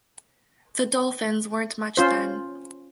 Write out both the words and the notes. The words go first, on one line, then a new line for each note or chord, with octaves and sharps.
The Dolphins weren't much then.
C#4 F4 C5